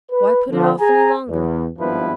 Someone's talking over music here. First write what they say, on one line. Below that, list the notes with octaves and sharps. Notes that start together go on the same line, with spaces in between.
Why put it off any longer?
B4
D3 F3
G#4 G#5 A#5
E2
G#1 G2 F3 B3 E4 B4